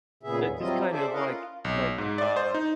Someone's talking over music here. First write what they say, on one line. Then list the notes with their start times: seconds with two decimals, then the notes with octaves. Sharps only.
It just kind of, like like, uh
0.23 A#2 C#3 B3 G#4 E5
0.41 D#2 A2
0.59 F#3 G3 C4 E4 F4 D#5
0.90 G#4 A4 C5 D5 E5
1.13 C#4 E4 A#4 D#5 F5 F#5
1.25 F4
1.65 B1
1.98 G#2
2.18 D5
2.36 C5
2.54 D#4